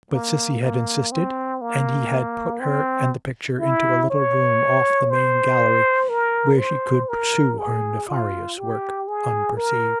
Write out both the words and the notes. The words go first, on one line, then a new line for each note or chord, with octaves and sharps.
But Cissy had insisted, and he had put her and the picture into a little room off the main gallery, where she could pursue her nefarious work unperceived.
A#3
A#3
C4
A#3
C4
E4
C#5
C5
A#4
C5
A#4
G#4
F4
G4
G#4
A#4